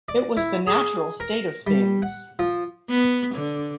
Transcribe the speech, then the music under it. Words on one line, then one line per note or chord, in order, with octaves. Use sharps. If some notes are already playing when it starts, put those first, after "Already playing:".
It was the natural state of things.
D5
E4
G#4
A#4
G3
F#5
F3
B3
D3